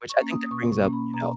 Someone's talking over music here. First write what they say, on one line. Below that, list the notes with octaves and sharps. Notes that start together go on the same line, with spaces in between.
which I think that brings up, you know,
C#6
A#3 C#4
D#6
D#6
B2 C#6
C#6
A#3 C#4
B5
B2 A#5